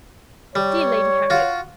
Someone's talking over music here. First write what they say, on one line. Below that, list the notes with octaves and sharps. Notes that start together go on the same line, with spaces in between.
Dear Lady Harriet!
G3 C#5
F4 F#4